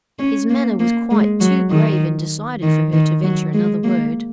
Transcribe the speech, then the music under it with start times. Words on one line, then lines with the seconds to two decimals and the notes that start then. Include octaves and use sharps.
His manner was quite too grave and decided for her to venture another word.
0.19 C#4
0.50 A#3
0.80 A#3
1.11 G#3
1.40 F#3
1.70 D#3
2.62 D#3
2.93 D#3
3.23 F#3
3.54 G#3
3.84 A#3